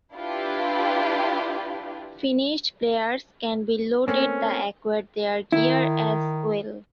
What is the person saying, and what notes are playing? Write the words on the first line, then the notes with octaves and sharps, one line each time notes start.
Finished players can be looted to acquire their gear as well.
D4 E4 F4 G4 B4
A3 A#3 C4 C#4
D#3 E4